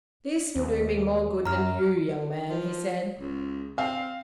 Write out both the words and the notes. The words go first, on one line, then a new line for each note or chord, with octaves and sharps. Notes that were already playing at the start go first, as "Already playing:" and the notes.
"This will do me more good than you, young man," he said.
D#2
F#2 A#5 F6
F3
C#2
C4 F5